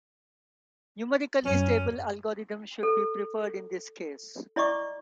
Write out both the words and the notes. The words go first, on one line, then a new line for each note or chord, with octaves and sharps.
Numerically stable algorithms should be preferred in this case.
F#2 C#4
A4
E4 D5 D#5 C#6 D6